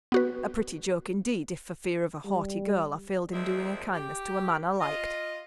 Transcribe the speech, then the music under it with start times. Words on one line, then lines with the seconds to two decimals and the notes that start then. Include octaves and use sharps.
A pretty joke, indeed, if, for fear of a haughty girl, I failed in doing a kindness to a man I liked!
0.12 B3 F#4 B4
2.25 G3
3.33 D#2 F3 G#3 C4 D5 E5
3.93 G4
4.81 F4 D#5